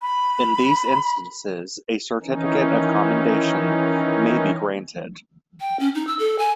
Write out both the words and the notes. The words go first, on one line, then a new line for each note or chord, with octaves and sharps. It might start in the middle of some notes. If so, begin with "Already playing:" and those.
In these instances, a Certificate of Commendation may be granted.
B5
D#3 E3 C#4 D#4
G5
C#4
D#4
E6
A4
G#5